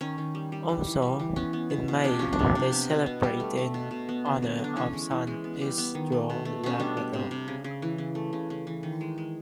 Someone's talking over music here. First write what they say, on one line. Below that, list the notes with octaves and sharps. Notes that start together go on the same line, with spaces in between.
Also, in May they celebrate in honour of San Isidro Labrador.
D#3 C#4
D#3
G3
G3
G3
E3
G3
E3
B3 C#4
B3
B2
B2
C3 D4
F3 C#4
D4
C3
C3
B3
B2
B3
G3
A3
A3
B2
B2
B3
D3
F#3
D3
D4
E3 C#4
G#3
E3
G#3
B3
G3
B3
D#3
A3
B2
A3
B2 C#4
G3 D4
G3
C3
C3
C#3
C#3
E3
C#3
A3
C#3
C#3
E3
D#3
G#3
G#3